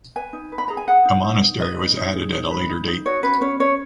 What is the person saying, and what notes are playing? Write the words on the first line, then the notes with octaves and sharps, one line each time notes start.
A monastery was added at a later date.
B4 G#5
D#4
B4
B5
G#4 A#5
G#5
G#4 F#5
D#4
D#4
D#4
B4 D#5
D#4
D#4
G#4
D#4
B4
D#4
D#4
F#4 C#5
C#4 B4
C#4 C#5
C#4 C#5